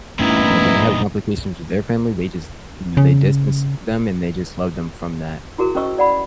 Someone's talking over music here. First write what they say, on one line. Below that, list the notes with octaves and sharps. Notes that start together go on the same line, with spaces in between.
like, when they have complications with their family, they just, you know, they distance them and they just love them from that
G2 A#2 E3 A3 B3 C#4 D#4 E4
C#3
E4 F#4 G#4 A#4
C#4 A#4 C5 D#5 C#6 E6
D5 F#5 B5